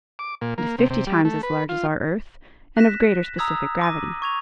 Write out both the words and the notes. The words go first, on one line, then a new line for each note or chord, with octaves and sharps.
It is fifty times as large as our Earth and of greater specific gravity.
D6
A#2
A#3
C3
C3
G3
A3
B4
F4
F#6 A#6 B6 E7
A#5 D#6 E6 G#6
D6 A#6 D#7
C#6 G#6 F7